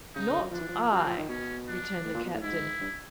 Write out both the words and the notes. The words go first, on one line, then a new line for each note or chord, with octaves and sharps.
"Not I," returned the captain.
C#3 D#4
D3
F#3
F3 D4
E3
F3
F#3 C4
F3
D#3
B2 C#4
D4
A2
A#2
B2
A2
G#2 E4
G2